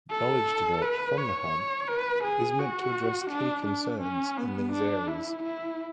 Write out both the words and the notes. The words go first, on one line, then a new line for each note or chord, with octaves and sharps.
Knowledge developed from the Hub is meant to address key concerns in these areas.
A4
B4
C#5
B4
G#4
F#4
D4
D4
C#4
B3
D4
E4
E4